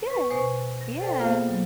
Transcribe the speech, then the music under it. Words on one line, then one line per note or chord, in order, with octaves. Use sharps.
Good. Yeah,
B4 C#6
B2 C5 G#5 C#6
A#6
A4 C5 D5 G5 A5
A#3 B3 F4 G#4 C5 F5
F#3